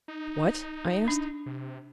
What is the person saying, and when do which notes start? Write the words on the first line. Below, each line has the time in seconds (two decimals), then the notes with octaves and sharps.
"What?" I asked.
0.08 D#4
1.08 D4
1.46 C3